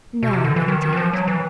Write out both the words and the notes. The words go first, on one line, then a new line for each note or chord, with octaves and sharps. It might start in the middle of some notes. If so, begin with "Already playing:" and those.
"No, indeed."
B2
C3
D3
E3
D#3
D#3
E3
F3
F#3
E3